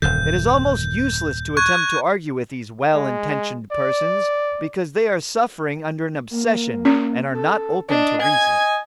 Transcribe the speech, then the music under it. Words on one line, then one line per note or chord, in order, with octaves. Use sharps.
It is almost useless to attempt to argue with these well-intentioned persons, because they are suffering under an obsession and are not open to reason.
D#1 F#2 D3 G6
C#6 F#6 G#6
G#3
D5
A#3
C#4
A4
D4 D#5
G#5 G#6